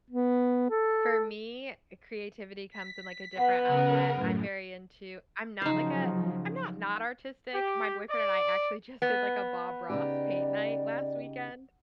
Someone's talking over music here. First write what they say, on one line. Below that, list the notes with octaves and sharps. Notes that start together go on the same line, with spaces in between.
for me, creativity comes in, like, a different outlet, I'm very into I'm not like a I'm not not artistic. My boyfriend and I actually just did, like, a Bob Ross paint night last weekend,
B3
A4
B6
B3 B4 F#5
C#3 A#4
F#2 A2
C#3 F3 F#3 D#4 C5
G4
D5
B3
C#3 D#4 G4 D5